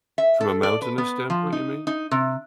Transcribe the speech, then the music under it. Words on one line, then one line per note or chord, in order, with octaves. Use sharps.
From a mountainous standpoint, you mean?
E5
A4
D5
B4
B3
F3
D#4
D#4
C3